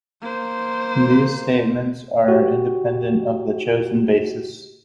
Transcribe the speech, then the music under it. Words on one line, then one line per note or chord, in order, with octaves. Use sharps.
These statements are independent of the chosen basis.
A#3 C5
F#4 G4